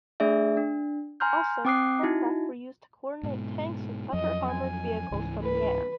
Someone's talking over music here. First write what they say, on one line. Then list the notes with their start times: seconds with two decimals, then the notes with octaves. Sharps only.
Also aircraft were used to coordinate tanks and other armored vehicles from the air.
0.20 A3 D4 G#4 D5 E5
0.57 D4
1.20 G#5 A#5 C6 F6 G6
1.65 C4 G5 D6 D#6 F#6 C7
2.03 D#4 E4 F#4
3.23 G#2 B2
4.13 F2 F3 F#3 D#5
4.50 G#5
5.11 C#2 G#2 E3
5.42 B4